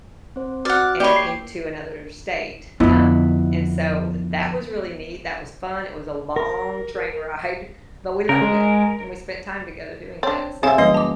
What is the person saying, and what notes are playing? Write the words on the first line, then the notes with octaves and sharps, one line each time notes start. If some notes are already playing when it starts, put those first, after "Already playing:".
and into another state, um, and so that was really neat, that was fun, it was a long train ride, but we loved it, and we spent time together doing that, so
C4 C5
F#4 D5 F#5 F6
A#3 G4 C#5 D5 B5
C7
F2 D3 B3 E4 D#5
A#4
C#3 A#4
G#3
C4 D4 C#5
C3 G#4 C5 C#5 E5 F5 G#5
F#1 E3 G3 D#5
A5 D6